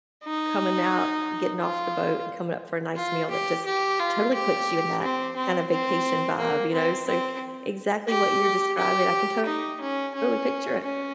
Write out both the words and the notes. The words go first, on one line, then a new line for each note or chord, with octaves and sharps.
Coming out, getting off the boat, and coming up for a nice meal, that just totally puts you in that kind of vacation vibe, you know? So exactly what you're describing, I can totally picture it.
D#4
F4
F4
G4
G4
F4
G4
C4
C4
C4
A#3
C4
C4
G4
G4
D#4
C#4
C#4
C#4